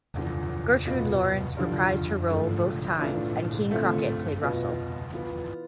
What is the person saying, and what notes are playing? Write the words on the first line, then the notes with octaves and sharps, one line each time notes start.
Gertrude Lawrence reprised her role both times and Keene Crockett played Russell.
E2 D3 F3
B2 B3 F4
G2 D3 F3
D3 F3 A3
E3 A3 D4 F4
D3 A3 C4 F4
B2 B3 F4
E3 B3 F4